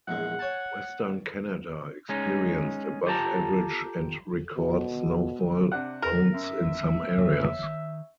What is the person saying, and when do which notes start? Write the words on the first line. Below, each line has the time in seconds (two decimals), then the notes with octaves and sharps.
Western Canada experienced above average and record snowfall amounts in some areas.
0.08 A#1 E2 G#3 F#5
0.39 C#5 G#5 A5
2.09 G#3 C#4 D#4
3.06 F4 G4 A4 F5 A5 A#5
4.57 B2
5.72 C3 D4 F#5
6.02 A#4
6.34 F#2 E5
7.18 F2 C#3 A#3 C#4
7.64 D#3